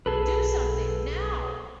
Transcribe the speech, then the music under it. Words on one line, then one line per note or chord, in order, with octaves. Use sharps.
Do Something Now!
B1 G#4 A4 B4